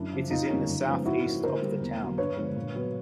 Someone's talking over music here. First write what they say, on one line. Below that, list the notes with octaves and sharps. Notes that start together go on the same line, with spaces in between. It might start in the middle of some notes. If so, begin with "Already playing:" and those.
It is in the south-east of the town.
Already playing: F#2 D4 E4
C#3 F3
F2 D#4 F4
D3 G3 A#3 C#4
F#2
C#3 F3 G#3 B3
G#2 E4 F#4
F3 A#3 C#4
D3 A#4 C5
G3 A#3
E2
B2 F#3 A#3
G2 B4 C#5
D3 F3 G#3 B3
A#2
F#3 B3